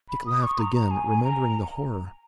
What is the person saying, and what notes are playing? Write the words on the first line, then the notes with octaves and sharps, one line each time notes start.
Dick laughed again, remembering the horror.
B5
D#6
C#6
A#5
A#5
G#5
A#5